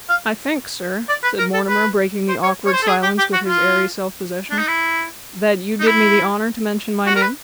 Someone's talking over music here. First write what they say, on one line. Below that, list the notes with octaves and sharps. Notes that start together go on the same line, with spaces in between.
'I think, sir,' said Mortimer, breaking the awkward silence with his airy self-possession, 'that you did me the honour to mention my name?'
F5
D5
B4
A#4
A4
B4
C5
C#5
C#5
C5
A4
G#4
G4
G4
F#4
F4
D4
D#4
E4
D#4
E4
F#4
A#4
B4